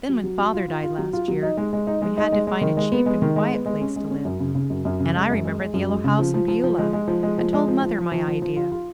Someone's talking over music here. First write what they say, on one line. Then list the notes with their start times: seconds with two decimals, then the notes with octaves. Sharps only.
Then when father died last year we had to find a cheap and quiet place to live, and I remembered the Yellow House in Beulah and told mother my idea.
0.09 F#3
0.24 F#3
0.38 F#3
0.54 F4
0.68 F4
0.83 F4
0.98 F#3
1.13 F4
1.28 F#3
1.43 D#4
1.57 G#3
1.73 G#3
1.87 D#4
2.02 G#3
2.18 D#4
2.32 G#3
2.47 G#3
2.61 D#3
2.77 G#3
2.92 B3
3.06 G#3
3.22 D#3
3.36 G#3
3.52 B3
3.66 G#3
3.81 C#4
3.96 G#3
4.10 C#4
4.25 F#2
4.40 C#3
4.55 C#3
4.70 F#2
4.85 F#2
5.00 C#3
5.15 G#3
5.30 F#2
5.45 G#3
5.60 G#3
5.74 F#2
5.89 G#3
6.04 C#3
6.19 F3
6.34 F3
6.48 F3
6.64 F3
6.78 G#3
6.93 G#3
7.08 F3
7.23 G#3
7.38 F3
7.53 G#3
7.68 F3
7.83 F3
7.98 F3
8.12 F3
8.28 F3
8.42 F3
8.56 F4
8.72 F4